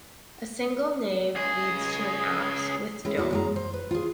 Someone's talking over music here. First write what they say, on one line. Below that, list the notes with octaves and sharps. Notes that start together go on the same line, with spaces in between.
A single nave leads to an apse with dome.
C#2 G#4
G#3 C#4 E4 B4
D#2 E4 F#4
F#2 G#3 A#5
C5
B4
F4 G#4